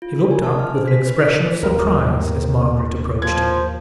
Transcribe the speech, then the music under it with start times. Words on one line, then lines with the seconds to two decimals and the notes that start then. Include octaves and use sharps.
He looked up with an expression of surprise as Margaret approached him.
0.02 F4
0.19 A#4
0.31 G#5
0.44 A5
0.59 F6
0.75 C5
0.88 B6
1.07 B4
1.22 B6
1.63 D#2 A#4
3.22 F3 G#6